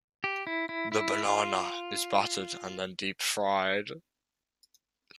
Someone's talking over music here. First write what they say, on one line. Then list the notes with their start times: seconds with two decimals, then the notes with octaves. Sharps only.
The banana is battered and then deep fried.
0.24 G4
0.47 E4
0.69 E4
0.92 E4
1.25 F4